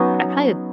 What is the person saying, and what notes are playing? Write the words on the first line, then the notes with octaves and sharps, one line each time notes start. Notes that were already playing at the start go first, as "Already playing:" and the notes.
I probably
Already playing: F#3 B3 C#4 D#4